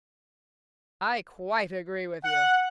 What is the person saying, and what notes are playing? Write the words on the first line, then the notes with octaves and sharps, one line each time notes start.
"I quite agree with you."
F#5